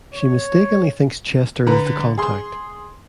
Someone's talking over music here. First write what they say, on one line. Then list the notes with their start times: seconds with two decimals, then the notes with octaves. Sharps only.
She mistakenly thinks Chester is the contact.
0.15 C#5
1.67 D3 B4 A#5
2.18 G#4 C6